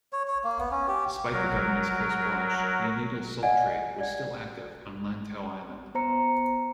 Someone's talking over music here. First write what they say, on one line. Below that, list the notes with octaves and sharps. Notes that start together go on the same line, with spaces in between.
Despite the government's close watch, illegal salt trade was still active on Lantau Island.
C#5
C#5
A#3
B3
C#4
G4
F#3 A#4
D5 D#5 F#5 G#5 A5
D5 G5
B3 C5 A#5 C#7